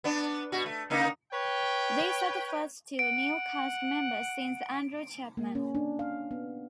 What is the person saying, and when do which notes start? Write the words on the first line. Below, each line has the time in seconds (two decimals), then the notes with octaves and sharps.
These are the first two new cast members since Andrew Chapman.
0.04 B3 D4
0.52 B2 F#4
0.66 A3
0.90 C#3 A#3 D#4
1.32 B4 C#5 G5
2.99 F#5 D7
5.37 A#3
5.55 C#4
5.75 D4
5.99 F5
6.31 B3